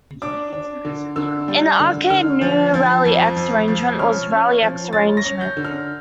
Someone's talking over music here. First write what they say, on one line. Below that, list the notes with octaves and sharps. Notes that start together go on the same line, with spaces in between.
In the arcade, "New Rally-X Arrangement" was "Rally-X Arrangement".
D4 D6
D4
D3
D3 E6
G3
D3
D3 F6
F3
F3
F2
F2
F3
C#4 F6
C#4
F3
C#4 A6
A#6
C#4
G6
D3
F6